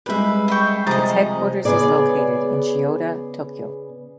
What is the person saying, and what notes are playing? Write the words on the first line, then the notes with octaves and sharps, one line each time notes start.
Its headquarters is located in Chiyoda, Tokyo.
G3 G#3 B4 E5
D#5 E5 G5 B5 C#6
C3 F3 G#4 D#5 A#5 A6
C#3 B3 G#4 D5